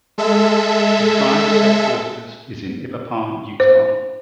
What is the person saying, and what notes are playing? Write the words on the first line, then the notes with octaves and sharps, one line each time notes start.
The tribe's headquarters is in Ibapah, Utah.
G#3 A4 E5
C5